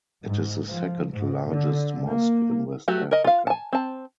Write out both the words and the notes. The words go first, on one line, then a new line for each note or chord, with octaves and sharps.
It is the second largest mosque in West Africa.
G#2
F3
G#2
D3
A#3
F#3 A3 F#4 G4
A#4 D#5
F4 F5
G#5 A5
C4 A5